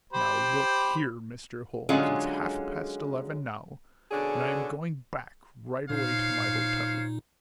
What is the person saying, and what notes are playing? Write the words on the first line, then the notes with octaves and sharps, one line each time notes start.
Now, look here, Mr. Holmes, it's half-past eleven now and I am going back right away to my hotel.
G4 C5 B5
D3 F#3 G#3 C#4 F4 G#4
B2 D3 C#4 D4 G#4
A#2 D#4 C5 C#5 F5